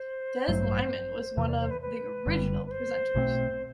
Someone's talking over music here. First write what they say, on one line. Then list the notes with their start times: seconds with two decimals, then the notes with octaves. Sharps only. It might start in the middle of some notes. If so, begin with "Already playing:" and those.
Des Lynam was one of the original presenters.
Already playing: C5
0.48 A1 G2 F#3 A3
1.37 E2 C3 E3 B4
1.48 D5
1.59 C5
1.70 B4
1.81 B4
2.26 F#1 F#2 D3 G3
2.66 B4
2.71 C5
3.15 B1 B2 A3 C4